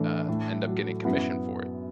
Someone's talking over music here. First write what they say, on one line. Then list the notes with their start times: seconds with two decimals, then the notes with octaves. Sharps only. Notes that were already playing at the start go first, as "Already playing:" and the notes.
uh, end up getting commission for it.
Already playing: A2 E3 A3 D4
0.29 A2
0.67 F#3
1.05 F#2 B3 E4